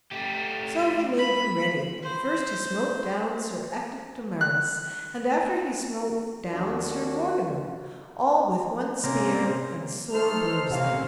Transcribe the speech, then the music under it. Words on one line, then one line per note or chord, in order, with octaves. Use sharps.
So he made him ready, and first he smote down Sir Ector de Maris, and after he smote down Sir Morganor, all with one spear, and sore bruised them.
A3 G4
B5
C5
F#6
D#2 D4 F#4
C3 A#3 C#4
D#4 A4 C5 F6
C3 A#3 C4 C#4 F5